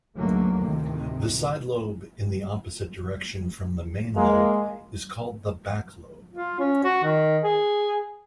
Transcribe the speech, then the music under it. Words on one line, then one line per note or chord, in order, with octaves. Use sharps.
The sidelobe in the opposite direction from the main lobe is called the "backlobe".
C#2 G2 D3 F#3 A3 A#3
D2 A2 C3 D#3
G#3 A#3
F4
C#4
F#4
D#3
G#4